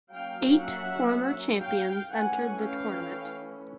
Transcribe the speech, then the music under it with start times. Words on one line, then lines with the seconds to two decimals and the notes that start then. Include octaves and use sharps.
Eight former champions entered the tournament.
0.13 F#3 A#3 C#4 F5 G5
0.63 E5 F#5
1.61 F5 G5
2.10 E3 A3 C#4 F#5 G#5
2.59 F5 G5